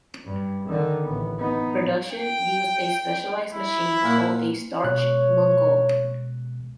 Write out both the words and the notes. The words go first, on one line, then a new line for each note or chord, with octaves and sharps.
Production uses a specialized machine called a starch mogul.
G2
D3 D#3
A1 B3
B3 D#4
G5
E4
A#2 A#3 F#5
B2 G#3 C#5 F#6